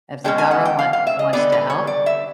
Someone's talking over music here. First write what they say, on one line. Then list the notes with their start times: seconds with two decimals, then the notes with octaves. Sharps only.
If the govern want wants to help,
0.24 B2 G#3 C#4 G5
0.38 G#5
0.51 F#5
0.65 G5
0.79 F5
0.93 F5
1.07 E5
1.19 D#5
1.33 D3 G3 B3 D5
1.52 B4
1.70 C#5
1.87 D5
2.06 E5